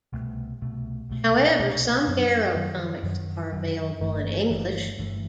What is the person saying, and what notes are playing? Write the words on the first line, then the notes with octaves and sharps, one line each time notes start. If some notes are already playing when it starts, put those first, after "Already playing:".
However, some "Garo" comics are available in English.
C2 B2 A3
C2 B2 A3
C2 B2 A3
C2 B2 A3
F#2 D#3 F#3
F#2 D#3 F#3
F#2 D#3 F#3
F#2 D#3 F#3
G1 G2 E3 A3
G1 G2 E3 A3
G1 G2 E3 A3